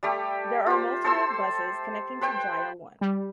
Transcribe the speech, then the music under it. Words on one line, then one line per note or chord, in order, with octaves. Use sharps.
There are multiple buses connecting to Jaya One.
G3 A3 G4
F4 C5
A4 C5 C6 E6
B4 C5 G5
G3